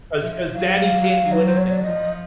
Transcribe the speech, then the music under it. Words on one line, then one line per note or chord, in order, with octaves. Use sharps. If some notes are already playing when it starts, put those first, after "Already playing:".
'cause 'cause daddy can't do anything wrong.
F3 E5
F#3 F5
F#3
B4
C5
C#5
D5
F3 D#5